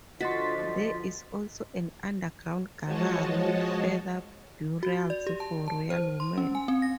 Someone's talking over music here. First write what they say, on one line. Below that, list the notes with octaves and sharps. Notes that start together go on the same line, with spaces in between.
There is also an underground gallery with further burials for royal women.
D3 F3 F#4 D#5 C6 A6 B6
F3 G#3 F#4 C#5 D#5 A5
F#4
D5
G4
A5
A5
C5
C6
C#4
G#5
C4
A#6